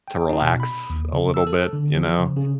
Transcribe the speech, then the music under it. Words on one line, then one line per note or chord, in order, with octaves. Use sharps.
to relax a little bit, you know?
G5
D#4
B2
B5
D#2
C#3
E6
A4
D3
F3
C#3
C#3